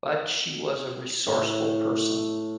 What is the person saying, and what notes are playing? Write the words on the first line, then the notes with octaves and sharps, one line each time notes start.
But she was a resourceful person.
A2